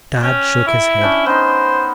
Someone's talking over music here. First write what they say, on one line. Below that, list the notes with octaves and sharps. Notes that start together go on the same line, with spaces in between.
Tad shook his head.
C#4 G5
E4
C#4 D4 G5
B3 D#4 C5